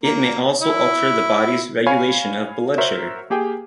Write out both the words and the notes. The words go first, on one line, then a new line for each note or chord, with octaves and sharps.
It may also alter the body's regulation of blood sugar.
A#3
E4
C#5 F5 G#5 B5
F#4 A#4 C5 C#5 E5
A#3 G4 G#4 G5